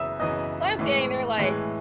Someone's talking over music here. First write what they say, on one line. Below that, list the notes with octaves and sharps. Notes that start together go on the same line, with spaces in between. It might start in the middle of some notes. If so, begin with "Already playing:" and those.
So I was standing there like,
Already playing: F#2 C#3 E3 B3 E5 D#6 E6
F#2 C#3 E3 B3 D#5 D#6
A2 E3 G#3
A2 E3 G#3